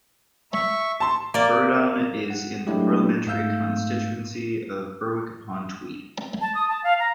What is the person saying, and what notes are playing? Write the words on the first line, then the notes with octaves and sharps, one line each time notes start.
Burradon is in the parliamentary constituency of Berwick-upon-Tweed.
E5 C#6
A5 C6
A#3 D5
F#5
F#3 G#3 A3 D4 E4 G4
G#2 A3 F5 E6 G6
A5
D#6
A5
F5
A#5